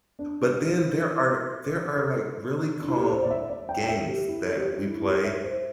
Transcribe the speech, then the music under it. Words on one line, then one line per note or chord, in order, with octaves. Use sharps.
But then there are there are like, really calm games that we play
D4
E4
A4
D4
E4
G4
A4
C5
D5
E5
D5
G5
G5
E5
G4
E4
A4
G4
G4
E4
E4
G4
E5
C5